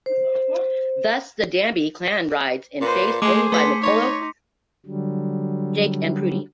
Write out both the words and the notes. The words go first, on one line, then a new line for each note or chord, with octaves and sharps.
Thus, the Danby clan rides in faced only by McCullough, Jake, and Prudy.
C5
A#2 B4 C5
G#3 A3 G#4 C5 D6 D#7
A3 B3 C6 B6 C#7
D#4 C#5
D3 F#3 G3